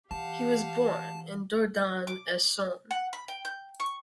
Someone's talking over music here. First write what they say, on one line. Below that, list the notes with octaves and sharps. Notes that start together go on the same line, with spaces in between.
He was born in Dourdan, Essonne.
E3 G4 F5 F#5 A5
D6
F#5
B5
G5
G6
C#6